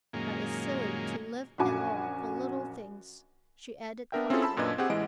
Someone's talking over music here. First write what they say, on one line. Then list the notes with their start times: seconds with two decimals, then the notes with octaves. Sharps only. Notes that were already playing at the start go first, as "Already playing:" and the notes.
"But it's silly to live at all for little things," she added quietly.
0.13 F#2 A#2 D#3 G#3 A#3 C#4
1.58 A#1 F#2 F#4 G#5 D6
4.12 B3 D4 A#4 E5 G5
4.30 C4 C#4 E4 F4 G#4 A4
4.42 A5 B5 E6
4.57 F#2 A#2 D4 B4 D#5 G#6
4.78 C4 G4 G#4 F#5
4.90 A1 E3 G#3 E4 D#5 D7